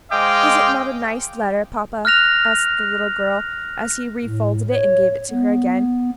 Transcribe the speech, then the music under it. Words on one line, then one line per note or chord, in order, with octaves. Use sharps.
"Is it not a nice letter, papa?" asked the little girl, as he refolded and gave it to her again.
G#3 C5 D#5 F5 G5 D6
F6 F#6 A#6 F7
A2
C#5
B3